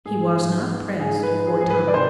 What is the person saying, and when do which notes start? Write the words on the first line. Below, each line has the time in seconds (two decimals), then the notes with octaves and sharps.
He was not pressed for time.
0.05 G#2 G#4
0.37 G#2
0.69 B3
0.99 G#2 G#4
1.23 B4
1.31 F3
1.47 G#4
1.61 G#2 G#4
1.70 B4
1.87 D5
1.94 C3 C5